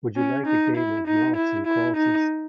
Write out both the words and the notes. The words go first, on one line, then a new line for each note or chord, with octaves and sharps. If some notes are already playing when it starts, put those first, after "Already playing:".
Would you like a game of noughts and crosses?
C#4
D#4
E4
D#4
E4
E4
D#4